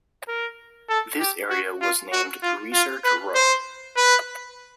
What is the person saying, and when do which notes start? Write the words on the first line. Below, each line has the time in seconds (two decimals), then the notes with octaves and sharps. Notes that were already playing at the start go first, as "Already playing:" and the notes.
This area was named "Research Row".
0.28 A#4
0.89 A4
1.20 G4
1.50 F#4
1.81 F4
2.12 F#4
2.43 F4
2.73 F4
3.05 B4
3.35 C5
3.97 B4